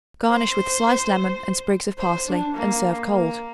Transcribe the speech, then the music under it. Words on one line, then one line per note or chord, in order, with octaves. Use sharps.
Garnish with sliced lemon and sprigs of parsley and serve cold.
C5
C5
D4
A#3
A#3